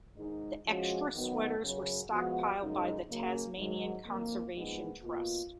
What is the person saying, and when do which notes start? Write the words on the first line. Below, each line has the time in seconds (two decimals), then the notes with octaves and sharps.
The extra sweaters were stockpiled by the Tasmanian Conservation Trust.
0.16 G#2 D#3 G#3 D#4
0.66 F3 G#3 C#4 F#4
1.14 D#3 F#3 B3 F#4
1.63 F#2 C#3 F#3
2.11 F3 G#3 B3 F#4
2.60 F#2 C#3 G#3 D#4
3.08 C#3 F#3 A#3 C#4
3.57 G#2 D#3 F#3
4.05 F2 D#3 A#3
4.53 A#2 F3 G#3 B3 D#4
5.03 B2 A#3 F4